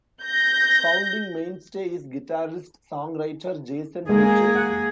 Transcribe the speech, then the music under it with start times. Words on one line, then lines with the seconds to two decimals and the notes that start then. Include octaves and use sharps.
Founding mainstay is guitarist-songwriter, Jason Hodges.
0.24 G6 A#6
4.09 G#3 A#3 G#4
4.55 F#5